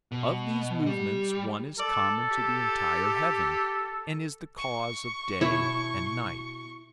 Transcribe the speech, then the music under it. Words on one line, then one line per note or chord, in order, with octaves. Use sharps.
Of these movements, one is common to the entire heaven, and is the cause of day and night.
B2
G3
A4 D5
G4
C#6
B2 E4 C#5